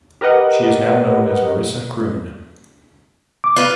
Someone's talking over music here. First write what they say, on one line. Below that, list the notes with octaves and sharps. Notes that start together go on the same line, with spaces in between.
She is now known as Marissa Kroon.
G4 A#4 B4 D#5 F#5
D6
F4 B4